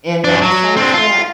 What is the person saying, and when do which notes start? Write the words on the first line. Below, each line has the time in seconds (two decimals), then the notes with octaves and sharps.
And then besides that,
0.24 F#2 D4
0.42 F#3
0.77 C4 D4
0.93 F4